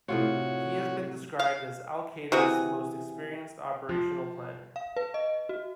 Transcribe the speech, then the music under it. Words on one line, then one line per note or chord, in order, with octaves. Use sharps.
He has been described as Al-Qaeda's most experienced operational planner.
A2 C3 F4 F#4 C#5
F5
C3 E3 F#4 G#4
F3
F5
B4
D#5
F#4